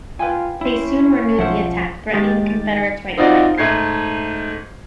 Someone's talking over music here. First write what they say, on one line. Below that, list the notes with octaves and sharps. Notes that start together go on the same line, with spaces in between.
They soon renewed the attack, threatening the Confederate's right flank.
F4 B4 G5 G#5
C#4 E4 C5
B1 F3 C5 E5 F#5
D#3 G#3 G4 A6
C4 D#4 F4 F#4 D5
G#2 A3 G#6 C7